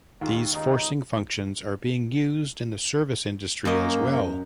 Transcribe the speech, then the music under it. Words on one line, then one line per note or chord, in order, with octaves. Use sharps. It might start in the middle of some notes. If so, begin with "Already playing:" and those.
These forcing functions are being used in the service industry as well.
D#2 G#3 A#3 F4
C#2 D#4
F#2 A#3 D#5